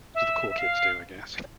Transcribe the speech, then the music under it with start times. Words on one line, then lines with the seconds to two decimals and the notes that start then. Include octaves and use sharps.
it's what the cool kids do, I guess
0.15 E5
0.49 E5
0.58 F5